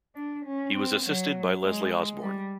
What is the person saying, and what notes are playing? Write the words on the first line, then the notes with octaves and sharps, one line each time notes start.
He was assisted by Leslie Osborne.
D4
C#4
C4
F#3
G#3
G3